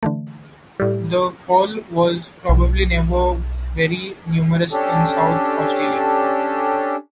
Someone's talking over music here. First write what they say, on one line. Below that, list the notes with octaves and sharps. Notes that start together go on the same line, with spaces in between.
The quoll was probably never very numerous in South Australia.
D3 E3 A3
A2 G3
B1
C#4 D4 G4 A4